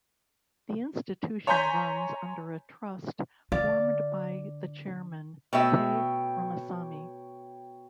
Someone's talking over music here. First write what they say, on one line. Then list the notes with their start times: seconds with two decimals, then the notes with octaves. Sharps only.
The institution runs under a trust formed by the chairman K. Ramasamy.
1.47 C#5 G#5 A#5 C6 G6 B6
3.52 D3 D5 F5
5.53 B2 A3 C#5 E5 G5